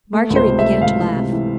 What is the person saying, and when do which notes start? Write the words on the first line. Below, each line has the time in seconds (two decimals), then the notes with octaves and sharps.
Marguerite began to laugh.
0.13 A3
0.30 C#2
0.36 C5
0.47 C3
0.59 E5
0.64 A3
0.81 C#2 F5
0.99 E3
1.16 C3
1.32 E3